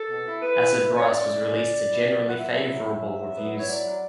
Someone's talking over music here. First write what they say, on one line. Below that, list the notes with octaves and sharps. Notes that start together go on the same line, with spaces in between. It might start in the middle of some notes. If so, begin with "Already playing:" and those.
"Acid Brass" was released to generally favourable reviews.
Already playing: A4
B2
E4
E4 B4
E4
E4
C#4
C#5
C#4 D5
E4
C#4
C#3
C#3
E4
F#3
E4
F#5
F#3 E5
E4
F#3
F#3
F#3
F#3
B3
E4
C#5
F#3 D5
F#3